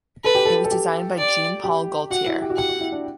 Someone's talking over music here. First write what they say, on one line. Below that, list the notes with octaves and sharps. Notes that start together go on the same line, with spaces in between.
It was designed by Jean Paul Gaultier.
A4 B4
G4
A4
A4
G4
D5
G4
F#4 F#5
E4
G4
F#4
G4 F#5
F#4
E4
D4